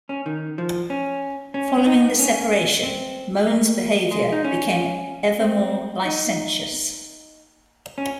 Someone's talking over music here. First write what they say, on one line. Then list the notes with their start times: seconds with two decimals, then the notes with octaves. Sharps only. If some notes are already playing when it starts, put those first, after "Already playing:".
Following the separation, Mohun's behaviour became ever more licentious.
0.09 C#4
0.26 D#3
0.58 F3
0.90 C#4
1.54 C#4
1.77 C#4
1.86 D#4
2.19 C#4
2.83 C4
3.47 A#3
4.11 G#3
4.32 D#4
4.44 C#4
5.40 C4
6.05 D#4
7.98 C#4